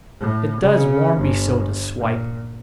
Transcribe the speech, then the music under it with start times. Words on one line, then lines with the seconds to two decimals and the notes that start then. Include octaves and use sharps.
"It does warm me so to swipe."
0.20 A2
0.61 C#3
1.16 G1
1.98 A#2